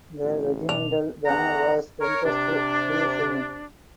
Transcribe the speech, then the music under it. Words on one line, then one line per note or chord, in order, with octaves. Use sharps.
The regimental banner was entrusted to Sen.
A1
B1 D4 F7
E2 F#5 A#5
A#4 C#5
C3 D4